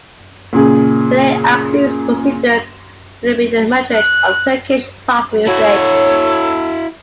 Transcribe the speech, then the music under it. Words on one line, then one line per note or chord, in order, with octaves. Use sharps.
Today Aksu is considered to be the matriarch of Turkish pop music.
A#2 C#3 G#4
F#6
E4 F#4 A4 C#5